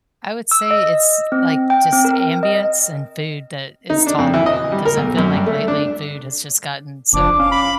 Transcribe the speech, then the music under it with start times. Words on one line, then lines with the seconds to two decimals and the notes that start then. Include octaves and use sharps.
I would say it's, like, just ambience and food that is tolerable, 'cause I feel like lately food has just gotten so
0.51 E6
0.71 D#5
1.32 C4
1.70 G5
1.92 C4
2.05 A#4
2.43 D#5
3.90 D#4
4.07 D4
4.18 F2
4.34 E3
4.46 D#5
4.72 G3
4.85 A#4
4.97 B1
5.17 F#2
5.34 G2
5.46 A3
5.68 D4
7.13 F#1 F3 D4 D6
7.40 C#4 F5
7.52 B5